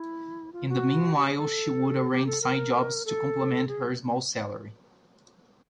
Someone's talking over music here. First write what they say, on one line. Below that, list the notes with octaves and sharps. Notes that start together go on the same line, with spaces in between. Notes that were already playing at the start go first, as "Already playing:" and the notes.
In the meanwhile, she would arrange side jobs to complement her small salary.
Already playing: E4
F4
F#4
G4
G#4
A4
G4
A4
A#4
A4
G#4